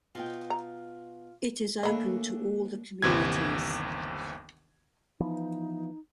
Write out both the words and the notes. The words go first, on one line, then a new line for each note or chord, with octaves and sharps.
It is open to all the communities.
B2 F4 D#5 G5
A#5
D#2 A3 A#3 C#4 D4 D#5 B5
G1 D#2 C3 E3 G#6
E3 F3 B3 D#4